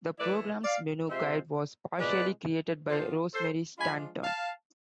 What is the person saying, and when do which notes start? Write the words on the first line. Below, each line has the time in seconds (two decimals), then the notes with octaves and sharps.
The program's menu guide was partially created by Rosemary Stanton.
0.19 E3 A3 E4 B4 D5
0.64 D5 F5
1.09 C3 G#3 C4 F4 C5 E5
1.98 B2 G#3 C4 F4 B4 D5
2.89 E3 B3 F4 A4 C5
3.34 A4 C5
3.79 F3 G#3 D4 F4 G#5 B5
4.24 F5 A5